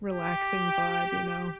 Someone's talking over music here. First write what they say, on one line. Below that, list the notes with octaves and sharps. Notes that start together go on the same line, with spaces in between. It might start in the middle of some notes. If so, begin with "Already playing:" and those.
relaxing vibe, you know,
G4